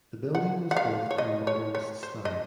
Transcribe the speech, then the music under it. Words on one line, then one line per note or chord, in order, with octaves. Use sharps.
The building was built in Modernist style.
F#5
F#5
F5
C#5
D#5
C#5
C#5
C5
D#5